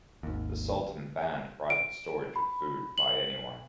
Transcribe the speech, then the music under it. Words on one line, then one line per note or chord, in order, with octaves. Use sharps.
The Sultan banned private storage of food by anyone.
G#1 D#2
D7
B5
F#7